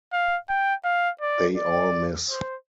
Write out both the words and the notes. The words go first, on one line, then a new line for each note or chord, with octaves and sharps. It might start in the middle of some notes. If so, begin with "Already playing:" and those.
They all miss.
F5
G5
F5
D5
D5
C5